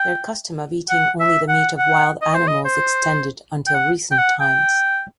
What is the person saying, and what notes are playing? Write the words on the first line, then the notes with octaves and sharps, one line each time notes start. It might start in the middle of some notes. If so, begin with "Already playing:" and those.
Their custom of eating only the meat of wild animals extended until recent times.
Already playing: G5
F#5
E5
F#5
F#5
D#5
C5
D#5
C5
G5
F#5
G5
F#5
G5